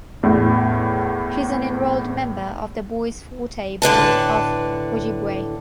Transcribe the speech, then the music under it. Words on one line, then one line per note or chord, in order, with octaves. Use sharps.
She is an enrolled member of the Bois Forte Band of Ojibwe.
E2 A2
A2 D3 B4 A5